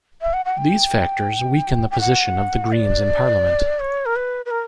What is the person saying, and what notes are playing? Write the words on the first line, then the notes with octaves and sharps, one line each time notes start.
These factors weakened the position of the Greens in Parliament.
E5
F#5
F#5
G5
G5
F#5
D5
C#5
A#4
B4
B4
A#4